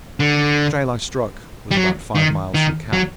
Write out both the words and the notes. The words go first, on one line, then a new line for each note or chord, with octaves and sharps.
The trail I struck was about five miles from camp.
D3
G3
F#3
D#3
D#3
F#3